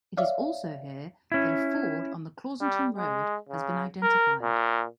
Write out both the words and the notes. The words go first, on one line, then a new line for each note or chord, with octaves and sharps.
It is also here that a ford on the Clausentum road has been identified.
C#5 D5 E5 F5
C#4 E4
G3
G#3
C#3
A#4
A#2